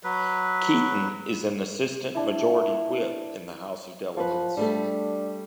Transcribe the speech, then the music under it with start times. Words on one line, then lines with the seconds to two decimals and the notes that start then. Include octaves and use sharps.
Keaton is an assistant majority whip in the House of Delegates.
0.04 F#3 B4
2.15 D4 E4
4.17 F#2 F3 B4
4.57 G3 A3 D4 A4